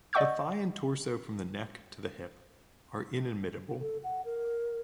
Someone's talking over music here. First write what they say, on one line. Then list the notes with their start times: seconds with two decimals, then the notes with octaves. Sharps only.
The thigh and torso from the neck to the hip are inimitable.
0.13 D5 D#5 F#5 C#6 E6 G6
3.81 A4
4.04 F#5
4.25 A#4